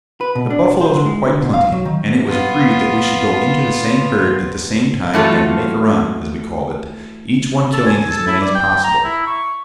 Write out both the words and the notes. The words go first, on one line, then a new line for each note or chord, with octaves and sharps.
The buffaloes were quite plenty, and it was agreed that we should go into the same herd at the same time and "make a run," as we called it, each one killing as many as possible.
B4
B2
D4
C5
D3
G#3
D3
B2
F5
F#3
D#3
B3 F4
E3 A3 F4 F#4 A4
A4
G#5
A4
E4
D5
G5
A#5
E4
C#6